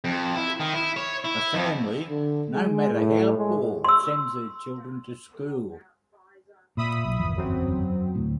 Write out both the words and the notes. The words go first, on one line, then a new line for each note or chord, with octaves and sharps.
A family no matter how poor, sends their children to school.
F2
E4
D#3
E4
C#5
E4
F2
D3
G#3
A2
G#3
C6 E6
A#2 E5 B5 D#6
B1
G1 E2 F3
F#2 F#3 C4
D2 A2